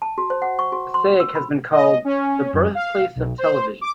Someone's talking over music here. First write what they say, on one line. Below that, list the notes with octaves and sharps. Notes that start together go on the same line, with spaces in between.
Passaic has been called "The Birthplace of Television".
A5
F#4
C5
F#5
C#6
F#4
C6
E6
B5
D#5
C#4
F#2
F5
B1
C5
D6